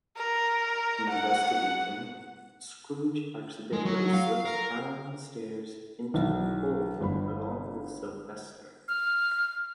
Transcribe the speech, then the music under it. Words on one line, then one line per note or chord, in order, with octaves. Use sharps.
Investigating, Scrooge accidentally slips down the stairs and into the cold along with Sylvester.
A#4
F#5
G#3
F#3
F5
A#4
B1 E3 D#4 E4
G1 B5
F6